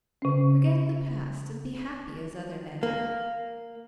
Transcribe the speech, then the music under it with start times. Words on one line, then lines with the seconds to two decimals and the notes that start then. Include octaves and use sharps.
Forget the past and be happy as other men are.
0.22 C#3 C#4
2.83 A#3